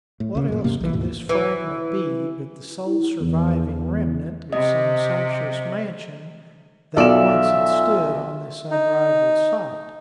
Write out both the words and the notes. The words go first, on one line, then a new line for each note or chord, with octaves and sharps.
What else could this fragment be but the sole surviving remnant of some sumptuous mansion that once had stood on this unrivaled site?
A2
C#2 C#3
F#2 A#2
E1 G2 C3 A#3
B1 E3
D2 G#2 B2
E3
E4
E2
E2
C3 D#5
B1 F4 A4 D5 E5 E7
D#4